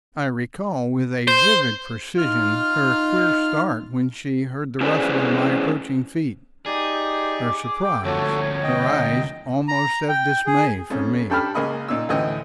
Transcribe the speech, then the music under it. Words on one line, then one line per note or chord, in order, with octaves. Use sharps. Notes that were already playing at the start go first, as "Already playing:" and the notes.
I recall with a vivid precision her queer start when she heard the rustle of my approaching feet, her surprise, her eyes almost of dismay for me.
C5
D#4 F4 F6
C#4 E4 G#4 B4 C5 D5
D#4 G4 G#4 D5
D6
G5
D2 F3 A3 F#4 A4 C#5
D#5 G5
A#5
G5
G#4
F2 C#4
G2 A4 G5 A5 B5 F6
C#2 A#3 C#4 D#5 B5
A#2 D#4 E6
D2 A2 E3 D#5 G5